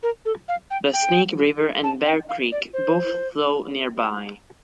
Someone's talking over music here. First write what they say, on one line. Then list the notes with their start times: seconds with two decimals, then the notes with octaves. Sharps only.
The Snake River and Bear Creek both flow nearby.
0.03 A#4
0.25 A4
0.48 F5
0.70 G5
0.93 G5
1.84 A5
2.06 G5
2.29 F5
2.52 D5
2.73 C5